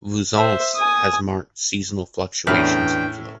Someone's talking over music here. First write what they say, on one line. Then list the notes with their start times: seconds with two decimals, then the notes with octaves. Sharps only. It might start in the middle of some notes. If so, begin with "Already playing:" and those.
Vouzance has marked seasonal fluctuations in flow.
0.35 C5 E5
0.76 G#5 D#6
2.47 E2 A2 C#4 D4 E4 B4 G5 F6